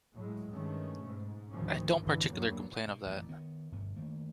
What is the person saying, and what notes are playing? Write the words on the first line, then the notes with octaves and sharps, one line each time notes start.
I don't particular complain of that.
A2 F#3 G#3
G2 D#3 G#3 A3 C#4
G#2 B2
D2 A2 D#3 F3 C#4
G1 D3 E3
E2 G2 F#3 G3 A#3
B2
A1 F#2 A#2
D#3 B3
G1 G2 B2 B3
D#3 A3 A#3